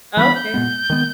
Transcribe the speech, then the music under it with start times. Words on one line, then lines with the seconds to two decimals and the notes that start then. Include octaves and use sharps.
Oh, okay.
0.17 E3 G3 B3 B5
0.35 G6
0.54 A#2 G#3 B3
0.90 D#3 G#3 B3